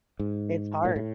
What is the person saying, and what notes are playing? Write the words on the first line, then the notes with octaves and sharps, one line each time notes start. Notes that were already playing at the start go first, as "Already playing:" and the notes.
It's hard.
G#2
A#2
A2